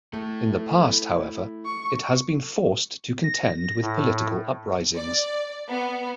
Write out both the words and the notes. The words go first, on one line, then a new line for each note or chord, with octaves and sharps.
In the past, however, it has been forced to contend with political uprisings.
A3 E4 A4
C#6
A#6
A2
D5
B3